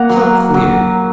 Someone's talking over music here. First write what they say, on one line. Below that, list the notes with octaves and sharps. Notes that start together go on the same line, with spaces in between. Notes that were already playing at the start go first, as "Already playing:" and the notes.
How queer!
Already playing: A#3 F#5 A#5
F#3
F#3